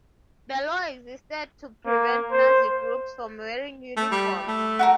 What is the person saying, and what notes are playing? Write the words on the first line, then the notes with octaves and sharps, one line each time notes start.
The law existed to prevent Nazi groups from wearing uniforms.
A#3
C5
A3
G3
A3
F#4 G4 A#4